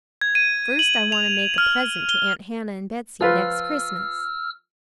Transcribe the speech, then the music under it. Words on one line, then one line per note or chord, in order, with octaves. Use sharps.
"First, I want to make a present to Aunt Hannah and Betsey, next Christmas."
G#6
D#7
F#7
F7
F6
G7
F3 F4 B4 E6 F6